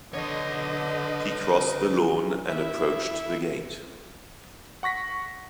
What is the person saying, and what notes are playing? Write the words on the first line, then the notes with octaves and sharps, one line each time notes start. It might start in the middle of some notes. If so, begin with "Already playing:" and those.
He crossed the lawn and approached the gate.
D3 B4 C#5 D#5
E4
F#5 C#6 A#6 B6